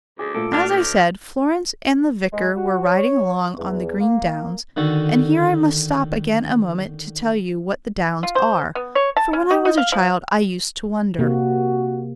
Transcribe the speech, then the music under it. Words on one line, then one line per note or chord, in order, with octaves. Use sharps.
As I said, Florence and the vicar were riding along on the green downs; and here I must stop again a moment to tell you what the downs are, for when I was a child I used to wonder.
D2 G#4 D6
A#2 A3 A4 D7
D4 F6 F7
D2 G6
G#3
F#4
C#5
E2
A#3
D3 D#3 F#4 A4
F4
C5
B3
C#5
A5
C#4
D#4
D#4
F5
F3
C3 A#3 F#4